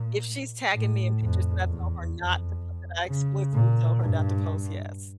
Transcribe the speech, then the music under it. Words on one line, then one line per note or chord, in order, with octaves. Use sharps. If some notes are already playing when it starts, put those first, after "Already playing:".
If she's tagging me in pictures that I told her not to post I explicitly told her not to post, yes.
Already playing: A#2
A2
F2
E2
F2
C#3
A#2
G2